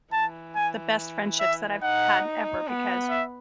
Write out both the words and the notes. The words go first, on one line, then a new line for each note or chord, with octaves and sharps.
the best friendships that I've had ever because,
E3 A5
G#5
E5
D#4 F#5
B3
E5